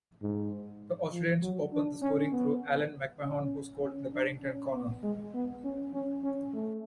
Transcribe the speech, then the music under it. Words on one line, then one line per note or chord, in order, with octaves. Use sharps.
The Australian's opened the scoring through Allan McMahon who scored in the Paddington corner.
G#2
F3
F#3
D4
C#4
B3
C#4
C#4
D4
C#4
B3
G#3
B3
C#4
C#4
C#4
A3